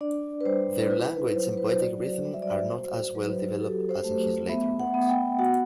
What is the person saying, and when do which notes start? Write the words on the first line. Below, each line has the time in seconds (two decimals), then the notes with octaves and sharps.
Their language and poetic rhythm are not as well-developed as in his later works.
0.01 D4 D5
0.41 B4
0.46 G3 C5
0.90 E4 B4
1.35 F#3 C5
1.57 B4
1.69 C5
1.80 F#4 D5
2.25 G3 D5
2.34 E5
2.42 D5
2.70 F#4 C5
3.15 F#3 B4
3.53 G4
3.59 F#4 A4
3.89 C5
4.04 A3
4.49 B3 E5
4.80 F#5
4.94 B3
5.09 G5
5.39 F#4 F#5